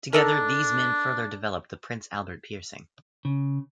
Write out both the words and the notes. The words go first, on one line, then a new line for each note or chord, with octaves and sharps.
Together, these men further developed the Prince Albert piercing.
D4 D#4 A4 A#4
C#3